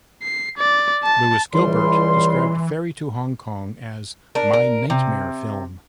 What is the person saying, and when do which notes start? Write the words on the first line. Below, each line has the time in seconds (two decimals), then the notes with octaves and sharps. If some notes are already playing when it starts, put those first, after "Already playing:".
Lewis Gilbert described "Ferry to Hong Kong" as "my nightmare film".
0.22 C7
0.57 D5
1.04 A5
1.54 C#2 E3 G3 C6
4.35 D4 A#4
4.53 A#4
4.90 C3